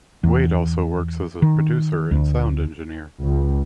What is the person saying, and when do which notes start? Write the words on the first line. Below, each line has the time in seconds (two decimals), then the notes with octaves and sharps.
Wead also works as a producer and sound engineer.
0.24 E2
1.42 D#3
2.11 D2
3.21 C#2